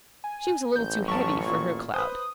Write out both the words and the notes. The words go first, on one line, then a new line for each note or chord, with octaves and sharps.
She was a little too heavy for her cloud.
G#5
A1 G6
F#2 A5 C#6
A#2
B4 C5 D#6